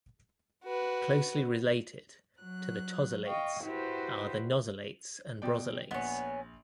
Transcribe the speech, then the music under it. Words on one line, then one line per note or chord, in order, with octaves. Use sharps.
Closely related to the tosylates are the nosylates and brosylates.
F#4 B4
F#3 F#6
D#5 F5 G5 C#6
E4 F#4 G4 B4 C5
B2 D5 G5
A#1 B3 C#4